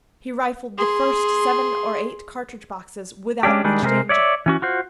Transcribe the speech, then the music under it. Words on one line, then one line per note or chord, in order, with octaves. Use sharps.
He rifled the first seven or eight cartridge-boxes without much danger.
G#4 C6
G#3 C#4 D4 G4
D#3 G3 G#3 D4
C3 G#3 G4 A#4 C5
C#5 D5 E5
E3 C#4 F#4
F4 F#4 C5